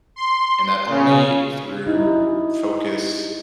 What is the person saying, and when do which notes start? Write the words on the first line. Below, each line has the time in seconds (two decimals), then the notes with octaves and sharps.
And that only through focus
0.16 C6
0.89 C#3
1.87 D#4 E4